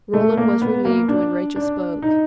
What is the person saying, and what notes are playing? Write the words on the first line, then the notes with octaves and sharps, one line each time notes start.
Rollin was relieved when Rachel spoke.
A3
A#3
B3
A#3
D4
D4
D#4